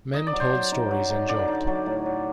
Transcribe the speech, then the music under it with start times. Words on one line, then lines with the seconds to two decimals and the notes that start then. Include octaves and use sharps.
Men told stories and joked.
0.14 D#4 D#5
0.27 D5
0.33 F#3
0.40 C5
0.53 F#3
0.72 D#4
0.91 F#3
1.10 D#4
1.29 D3 D5
1.48 D#4
1.67 F#3
1.86 A2
2.06 F#3